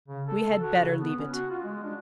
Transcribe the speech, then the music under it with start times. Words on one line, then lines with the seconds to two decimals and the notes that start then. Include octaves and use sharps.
We had better leave it.
0.08 C#3
0.27 A4
0.48 A4
0.61 F#4
0.79 C#3
0.99 B3
1.18 C#4
1.33 F#4
1.50 F4
1.64 G#3
1.84 D4